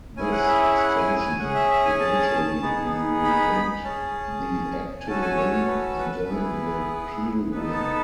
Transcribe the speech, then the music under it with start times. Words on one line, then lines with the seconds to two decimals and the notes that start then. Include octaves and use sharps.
This extension would eventually be renamed the Egton Wing, and then the Peel Wing.
0.17 C#4 E4 G#4 G#5
0.32 F#5
0.48 E5
0.63 E5
0.78 F#5
0.98 G#5
1.19 G#5
1.39 C#4 G#4 F#5
1.55 E5
1.71 E5
1.85 G#5
2.00 A5
2.62 B3 D#4 G#4
3.24 B5
3.84 C#4 G#4 A5
5.00 G#5
5.07 C#4 F#4 A4 A5
5.22 G#5
5.37 C#5
5.52 C#5
5.68 B4
5.99 B4
6.14 B4
6.29 B3 E4 G#4
7.52 B3 D#4 A4 B4
7.73 A5